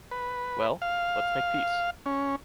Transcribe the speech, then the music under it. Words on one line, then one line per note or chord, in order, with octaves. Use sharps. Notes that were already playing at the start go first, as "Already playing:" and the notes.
Well! let’s make peace.
B4
F5
C#4